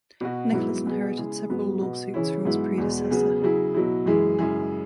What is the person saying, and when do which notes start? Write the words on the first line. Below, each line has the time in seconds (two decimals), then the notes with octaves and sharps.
Nicholas inherited several lawsuits from his predecessor.
0.21 B2 B3 F#4
0.52 G#2 F#3 B3 E4
0.85 B2 B3 G#4
1.17 C#3 G#3 E4 G#4
1.50 G#2 F#3 B3
1.81 B2 B3 F#4
2.14 C#3 E3 C#4 E4 G#4
2.45 G#2 F#3 B3 E4
2.78 E2 B2 G#3
3.10 C#3 F#3 B3 G#4
3.41 C#3 F#3 E4 G#4
3.74 B2 F#3 E4
4.06 F#2 E3 G#3 E4 G#4
4.39 F#2 C#3 G#3 E4 G#4